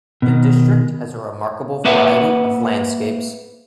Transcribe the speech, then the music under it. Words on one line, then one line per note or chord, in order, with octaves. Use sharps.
The district has a remarkable variety of landscapes.
B2 D#3
A#3 B4 E5 F#5